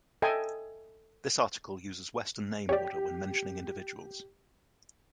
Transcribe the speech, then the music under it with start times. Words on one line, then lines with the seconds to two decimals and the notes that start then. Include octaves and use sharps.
This article uses Western name order when mentioning individuals.
0.22 A4 D#5 E5 G5 G#5
2.69 G4 C#5 D5